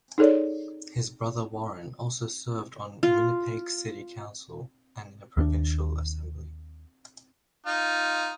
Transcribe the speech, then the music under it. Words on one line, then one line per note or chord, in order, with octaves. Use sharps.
His brother Warren also served on Winnipeg city council and in the provincial assembly.
D#4 G#4 A4 C#5 D5
F4
D#2 B3 D4
D#4 F4